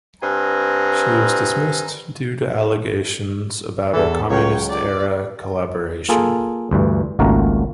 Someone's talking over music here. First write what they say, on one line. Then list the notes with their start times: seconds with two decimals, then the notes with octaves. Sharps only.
She was dismissed due to allegations about her communist-era collaboration.
0.23 G2 C4 G#5 A#5
3.93 E2 E3 A4
4.30 C#2 F#3 C#5 F5 G5
4.69 D5
6.09 A#3 F4 G#4 A4 A5
6.71 D2 G2 E3
7.19 G#1 C#2 A3 A#3 F#4 A#4